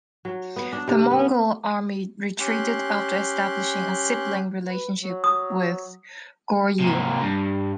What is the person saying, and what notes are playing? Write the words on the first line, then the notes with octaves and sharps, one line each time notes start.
The Mongol army retreated after establishing a "sibling" relationship with Goryeo.
F#3
B3
D4
C3
B3
C#4 G4 C6 F#6
B4
F#3
D#6
C3 A#3
G2